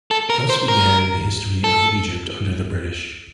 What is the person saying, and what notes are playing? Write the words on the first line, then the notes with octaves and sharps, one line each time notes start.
Thus began the History of Egypt under the British.
A4
A#4
C5
A#4
A4